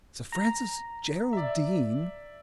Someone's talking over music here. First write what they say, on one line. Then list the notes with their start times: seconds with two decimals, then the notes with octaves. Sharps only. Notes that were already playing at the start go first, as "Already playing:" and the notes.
"Sir Francis Geraldine!"
0.32 A#5
1.33 D5 E5